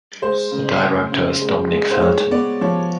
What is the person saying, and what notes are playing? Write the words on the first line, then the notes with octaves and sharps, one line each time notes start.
The director is Dominique Felten.
G#3 C5
C#3
C#3
C#3
G#3
G#3
C5
G#3 C#5
B3 D5
F3 C#5